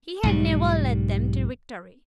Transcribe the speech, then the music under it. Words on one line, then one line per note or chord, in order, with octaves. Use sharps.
He had never led them to victory.
B1 G#2 G3